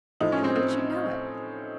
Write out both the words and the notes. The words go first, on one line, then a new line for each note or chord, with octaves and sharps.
"How did you know it?"
A2 F3 D#4
C#4
C4
C4